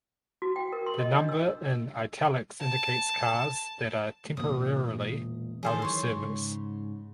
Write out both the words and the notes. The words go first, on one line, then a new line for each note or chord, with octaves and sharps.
The number in "Italics" indicates cars that are temporarily out of service.
F#4
G5
A#4
C6
D#5
D4
E6
A5
E1 A#2 D#6
D#3 E3 F#3 G#4 A4 C5
C#5 C6
G#2 C#3